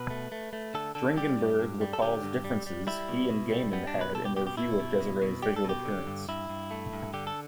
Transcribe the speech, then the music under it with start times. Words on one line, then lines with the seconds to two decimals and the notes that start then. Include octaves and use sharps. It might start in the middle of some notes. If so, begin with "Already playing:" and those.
Dringenberg recalls differences he and Gaiman had in their view of Desire's visual appearance.
Already playing: B2 B4
0.10 A3
0.32 A3
0.53 A3
0.74 D3 A4
0.95 D3 A4
1.16 G3 G4
1.38 G2
1.59 G2
1.81 G3
1.93 A4
2.02 D3 G4
2.23 G2
2.44 G3
2.66 G3
2.87 G3 E4
3.09 B2
3.30 B2
3.51 G3
3.73 G3 B3
3.87 D4
3.94 B2
4.01 B4
4.15 B2 A4
4.25 G4
4.37 B2 G4
4.47 G4
4.57 B2 E4
4.80 B2
5.00 B2
5.22 B2
5.43 G3 G4
5.56 A4
5.64 B2
5.69 G4
5.85 D3
6.07 G2
6.29 G2 E4
6.49 G2
6.71 A3
6.93 G2
7.14 D3 G4
7.27 A4